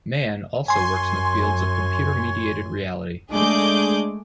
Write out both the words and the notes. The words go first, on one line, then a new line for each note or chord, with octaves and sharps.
Mann also works in the fields of computer-mediated reality.
F#2 C#5 G#5 C6
G#3 A3 D4 G#4 D6 G6